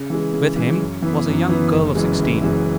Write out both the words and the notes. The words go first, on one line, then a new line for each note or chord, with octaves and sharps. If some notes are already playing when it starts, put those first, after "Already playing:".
With him was a young girl of sixteen.
Already playing: C#3
E3 G#3
C#3
E3 G#3
F#2
E3 B3
F#2
E3 B3
F#1
F#2 E3 G#3
F#1
F#2 E3 G#3